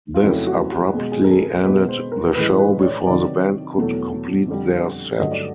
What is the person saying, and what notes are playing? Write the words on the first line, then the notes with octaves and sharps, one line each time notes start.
This abruptly ended the show before the band could complete their set.
F4
F2 C#3 F#3 A3 E4
F#4
G4
B2 G#3 G#4
G#4
A#4
A4
A#4
B2 G#3 B4
C5
A#4
A2 E3 G#3 B4
B4
C#5
D5
C3 D#3 F#3 D5
E2 B2 F#3 A3
F2 D3 G3
G2 D3 F#3 A3 D#5
D5